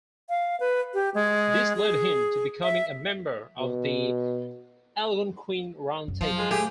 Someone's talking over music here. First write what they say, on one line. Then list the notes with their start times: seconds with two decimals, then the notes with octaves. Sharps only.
This led him to becoming a member of the Algonquin Round Table.
0.29 F5
0.60 B4
0.94 G4
1.14 G#3
1.76 G#4
2.63 E5
3.59 B2
6.08 F#2
6.21 F3 F#3
6.38 G#3
6.51 A3 G4 G#4